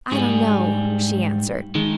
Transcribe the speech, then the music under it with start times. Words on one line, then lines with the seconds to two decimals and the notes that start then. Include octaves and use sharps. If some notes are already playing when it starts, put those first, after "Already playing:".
"I don't know," she answered.
0.12 G#2 G3 G#4
1.75 D#3 G#3